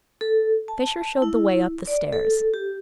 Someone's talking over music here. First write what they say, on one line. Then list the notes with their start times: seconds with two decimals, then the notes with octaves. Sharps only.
Fisher showed the way up the stairs.
0.21 A4
0.68 A5
1.22 E4
1.87 D5
2.13 A4
2.54 G4